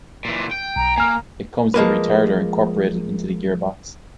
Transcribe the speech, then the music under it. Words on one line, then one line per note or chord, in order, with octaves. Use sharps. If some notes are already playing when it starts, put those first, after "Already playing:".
It comes with a retarder incorporated into the gearbox.
A#2 E3
G5
B1 A#5
A#3 G#5 F6
F3 G#3 A#3 B4